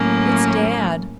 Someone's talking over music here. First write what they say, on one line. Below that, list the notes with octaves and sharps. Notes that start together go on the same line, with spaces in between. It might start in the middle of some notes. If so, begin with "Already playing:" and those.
It's dad.
Already playing: A2 F#3 A#3 C#4